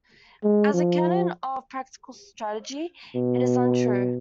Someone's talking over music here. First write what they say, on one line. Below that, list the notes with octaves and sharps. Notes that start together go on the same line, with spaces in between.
As a canon of practical strategy, it is untrue.
G#3
F3
B2